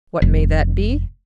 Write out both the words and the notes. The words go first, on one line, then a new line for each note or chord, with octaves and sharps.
What may that be?
F1